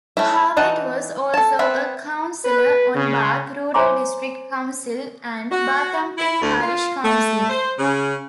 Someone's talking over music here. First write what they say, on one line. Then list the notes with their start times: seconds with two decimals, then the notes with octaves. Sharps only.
Harbutt was also a councillor on Bath rural district council and Bathampton parish council.
0.17 A3 C#4 E4
0.57 E3 D#4 F#5 A5
1.34 A4 A5
1.59 B3 C4 E5 B5
2.45 B4
2.95 C#3
3.74 C5 C#5 G#5 A#5 C6 D6
5.51 F#4
6.18 E4
6.41 D2
6.61 F4
7.03 A3
7.50 C5
7.79 C#3